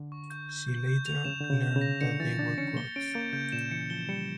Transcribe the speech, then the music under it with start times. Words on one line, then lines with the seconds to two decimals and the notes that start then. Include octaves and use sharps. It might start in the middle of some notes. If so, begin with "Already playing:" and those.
She later learned that they were Kurds.
Already playing: D3
0.12 C#6
0.30 G6
0.49 G6
0.68 G6
0.87 G6
1.06 F7
1.25 C#3 E7
1.41 D3 G6
1.50 C#3
1.63 G6
1.76 C#3
1.81 A#6
2.01 D3 C#7
2.20 E3 A6
2.39 D4 A6
2.58 C#4 C#7
2.76 A#3 G7
2.96 C#4 D7
3.14 A#3 G6
3.33 C#3 G6
3.52 A#2 E7
3.71 E3 C#7
3.90 F3 G7
4.09 G3 C#7